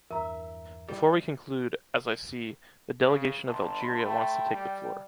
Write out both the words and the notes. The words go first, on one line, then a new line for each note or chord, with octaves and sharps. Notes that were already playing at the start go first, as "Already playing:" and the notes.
Before we conclude, as I see, the delegation of Algeria wants to take the floor.
E2 G2 E3 A#4 E5 A#5
G3
C#3
G1 A5 B5 C6
A3 G5
G3